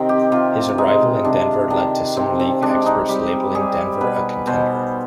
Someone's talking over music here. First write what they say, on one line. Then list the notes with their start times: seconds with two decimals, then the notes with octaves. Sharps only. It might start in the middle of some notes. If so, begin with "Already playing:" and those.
His arrival in Denver led to some league experts labeling Denver a contender.
Already playing: C3 D#3 C4
0.09 G4
0.32 C3 F4
0.78 G#3 D#4
1.25 C3 D4
1.70 D#3 D4
2.16 C3 C4
2.39 C4
2.62 G#3 D4
2.86 D#4
3.09 G3 G4
3.55 G3 G#4
4.01 B2 B4
4.47 B2 C5